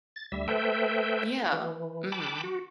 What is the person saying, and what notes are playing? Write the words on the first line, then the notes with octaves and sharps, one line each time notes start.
Yeah. Mhm.
A6
D2 G3 E5
A3 A4 B4 C5 E5 G5
E3
G5 A5 B5 D6
F#4